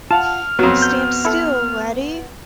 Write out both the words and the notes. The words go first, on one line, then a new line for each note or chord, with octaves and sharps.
Stand still, laddie!
F4 F5 F#5 A5 F6
F2 F#3 B3
G6
E4 A4